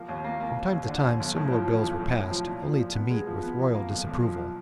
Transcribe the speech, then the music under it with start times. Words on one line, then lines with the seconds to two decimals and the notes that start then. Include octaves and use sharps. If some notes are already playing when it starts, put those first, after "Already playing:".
From time to time similar bills were passed, only to meet with royal disapproval.
Already playing: F3 A#3
0.09 D#2
0.24 A#3
0.40 A#3
0.57 A#3
0.72 D#2
0.88 D3
1.04 D#2
1.20 B1
1.36 A2
1.52 F3
1.68 F3
1.84 B1
1.99 A2
2.15 A2
2.31 F3
2.47 A#2
2.63 F3
2.79 F3
2.95 B3
3.11 G#3
3.27 F3
3.42 B3
3.59 F3
3.75 A#3
3.90 B1
4.06 B1
4.22 F3